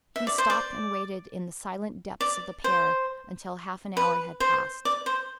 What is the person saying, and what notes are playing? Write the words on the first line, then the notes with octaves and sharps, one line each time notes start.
He stopped and waited in the silent depths of the pear until half an hour had passed.
E5
D5
C5
D5
D5
C5
B4
C5
D5
C5